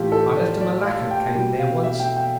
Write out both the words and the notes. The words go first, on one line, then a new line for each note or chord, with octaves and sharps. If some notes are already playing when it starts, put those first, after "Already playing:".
I left a malacca cane there once.
Already playing: A2 E3 A3 E4 F4 G4
A4
D5
D5
F5
G5
B2 G3 G5
F5
E5
G5
G5